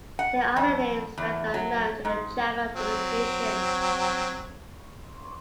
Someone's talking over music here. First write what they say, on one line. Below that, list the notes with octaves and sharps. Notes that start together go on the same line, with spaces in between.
They are the names that are known to the Java application.
F#5
F2
E2
F#3
G#2
F#3 C4